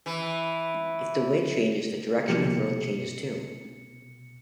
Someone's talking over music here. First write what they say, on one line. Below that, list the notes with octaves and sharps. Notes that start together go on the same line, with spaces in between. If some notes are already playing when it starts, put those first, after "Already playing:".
If the wind changes, the direction of growth changes too.
E3
C2 B2 F3 A#3 G4 C#7